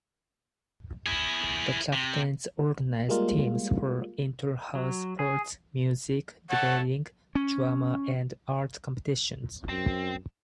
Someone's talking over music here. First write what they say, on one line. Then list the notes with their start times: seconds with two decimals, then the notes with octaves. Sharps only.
The captains organise teams for inter-house sports, music, debating, drama and art competitions.
1.06 E4 G#4
1.93 C3
3.09 G3 G#3 A#3 F4
4.75 F#3
5.19 G#4
6.50 A3 C#5 F#5 A5
7.35 C#4
9.69 F#2 C4